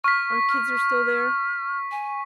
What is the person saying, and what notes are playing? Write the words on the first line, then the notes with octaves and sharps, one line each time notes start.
our kids are still there
C#6 F6 B6
F6
G#5